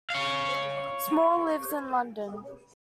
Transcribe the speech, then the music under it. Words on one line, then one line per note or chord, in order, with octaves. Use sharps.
Small lives in London.
C#5 F5